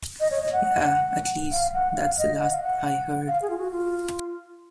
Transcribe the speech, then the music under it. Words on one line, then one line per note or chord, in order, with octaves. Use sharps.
Yeah, at least that's the last I heard.
D#5
C#5
D#5
F#5
F5
F#5
F5
D#5
F#5
F5
F#5
F5
G#4
F4
F#4
F4